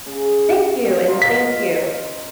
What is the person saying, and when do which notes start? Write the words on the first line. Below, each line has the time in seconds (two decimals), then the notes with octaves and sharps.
Thank you, and same to you.
0.06 C#3
1.08 F4 D#5 A#5
1.22 B6